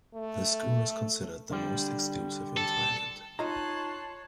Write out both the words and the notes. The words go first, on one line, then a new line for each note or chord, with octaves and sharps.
The school is considered the most exclusive in Thailand.
A3
D3 G3
A4
D#4 F4 C#5 D#5 A5 A#5 C6 F#6